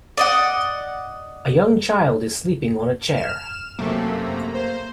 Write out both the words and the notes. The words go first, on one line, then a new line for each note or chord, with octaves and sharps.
A young child is sleeping on a chair.
D5 D#5 F#5
F6 E7
F#2 C3 A3 A#3
C5